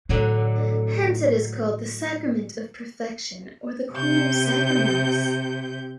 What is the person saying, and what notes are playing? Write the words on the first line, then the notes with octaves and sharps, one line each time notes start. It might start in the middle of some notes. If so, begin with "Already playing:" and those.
Hence it is called the "sacrament of perfection" or the "queen of sacraments".
A2 D3 F#3 D#4
C3 G6